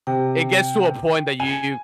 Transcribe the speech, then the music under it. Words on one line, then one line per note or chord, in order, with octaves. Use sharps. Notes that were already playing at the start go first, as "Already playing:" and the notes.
It gets to a point that you
C3 G5
G#5